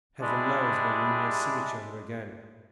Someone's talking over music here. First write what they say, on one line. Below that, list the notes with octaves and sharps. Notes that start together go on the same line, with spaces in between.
Heaven knows when we may see each other again.
G3 G#3 D4 E4